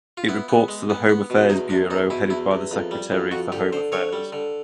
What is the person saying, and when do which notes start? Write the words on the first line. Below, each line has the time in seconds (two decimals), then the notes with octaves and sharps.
It reports to the Home Affairs Bureau, headed by the Secretary for Home Affairs.
0.17 F4
0.29 B3 E4
0.49 B3
0.68 G#3
0.90 B3
1.09 B3
1.30 B2
1.50 E2 D#4
1.69 E2 D4
1.90 E2 D#4
2.10 B2 E4
2.30 E2 E4
2.51 E2
2.71 F2
2.91 G3
3.12 F2
3.31 F2 F#4
3.52 D3 G4
3.73 D3 C5
3.92 D3 C#5
4.13 G3
4.33 D3